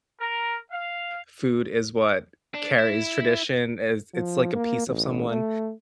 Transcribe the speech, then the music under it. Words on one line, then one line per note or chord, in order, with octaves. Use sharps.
food is what carries tradition, as it's like a piece of someone,
A#4
F5
D4
E4
F3
A#3
A1
A3